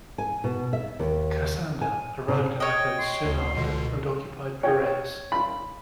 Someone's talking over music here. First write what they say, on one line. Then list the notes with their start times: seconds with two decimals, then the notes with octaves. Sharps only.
Cassander arrived in Athens soon after and occupied Piraeus.
0.18 G#5
0.44 B2
0.73 E5
0.99 D#2
1.81 G#5
2.28 C3
2.60 C#5 D#5 G5
2.99 C6
3.25 D2
3.57 C#2 B2 D3
4.63 C#5 G5
5.32 B5